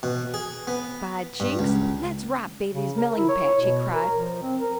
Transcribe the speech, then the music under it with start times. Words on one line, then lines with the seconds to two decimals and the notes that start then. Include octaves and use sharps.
"By jinks, let's rob Brayley's melling-patch!" he cried.
0.03 B2
0.34 G#4
0.67 B3
1.40 G2
1.59 C#2
2.73 C#3
2.98 A#4
3.17 E4
3.29 C#5
3.61 B2
3.94 A#4
4.17 F3
4.42 C4
4.61 A#4